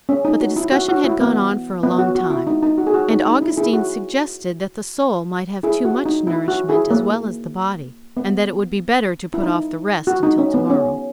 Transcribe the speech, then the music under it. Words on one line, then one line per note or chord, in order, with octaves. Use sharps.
But the discussion had gone on for a long time, and Augustine suggested that the soul might have too much nourishment as well as the body, and that it would be better to put off the rest until to-morrow.
C#4
D#4
F#4
E4
F#4
F#4
E4
B3
B3
F#4
F#4
E4
D#4
D#4
F#4
G#4
F#4
D#4
D#4
E4
E4 G#4
F#4
E4 G#4
F#4
D#4
E4
F#4
E4 G#4
A#3
B3
E4
D#4
F#4
D#4
C#4
B3
C#4